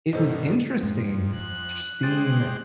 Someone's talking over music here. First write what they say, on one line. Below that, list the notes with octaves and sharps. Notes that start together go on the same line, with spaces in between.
it was interesting sh seeing
G2 B2 D#3 A4 C5 D#5
F2 G#2 D4
F4 F#6
G#3 G4 C5 A6